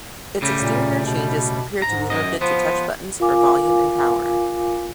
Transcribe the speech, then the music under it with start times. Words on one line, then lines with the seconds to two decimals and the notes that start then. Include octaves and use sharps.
Its exterior changes appear to be limited to touch buttons for volume and power.
0.41 A2 C#3 G3
0.60 A#2
1.06 B2
1.82 G#2 A#5
2.10 F#2 D#5
2.41 F3 B3 C5
3.20 F4 A#4 F5 G#5 D6